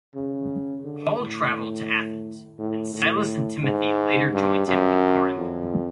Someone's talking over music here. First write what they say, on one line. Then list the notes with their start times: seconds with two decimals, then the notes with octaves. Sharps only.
Paul travelled to Athens, and Silas and Timothy later joined him in Corinth.
0.15 C#3
0.84 D3
1.20 A2
2.59 A2
2.94 A2
3.64 G#2
4.33 G2
4.68 F#2
5.37 F2